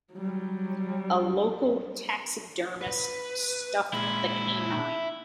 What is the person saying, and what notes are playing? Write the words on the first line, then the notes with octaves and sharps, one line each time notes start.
A local taxidermist stuffed the canine.
F#3 G3
B4
A#2 G#3 E4